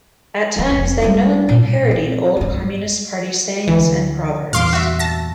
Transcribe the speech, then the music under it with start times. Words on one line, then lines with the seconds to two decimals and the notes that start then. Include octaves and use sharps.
At times they knowingly parodied old Communist Party sayings and proverbs.
0.56 F3 A#3
0.70 F1
1.02 G3 E4
1.49 A#2
1.91 C4
2.37 G2 B3
3.68 D2 E3
4.53 E2 G2 A#2 F5 C6 D6
4.73 F#4 E5
4.99 A5 A#6